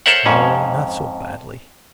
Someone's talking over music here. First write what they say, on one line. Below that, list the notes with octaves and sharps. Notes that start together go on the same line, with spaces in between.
'No, not so badly.
A4 A#4 C5 C#5 E5 F#5
F2 G#2 C#4